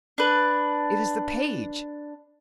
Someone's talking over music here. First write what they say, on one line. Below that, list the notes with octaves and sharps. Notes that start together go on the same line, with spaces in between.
It is the page!
D4 B4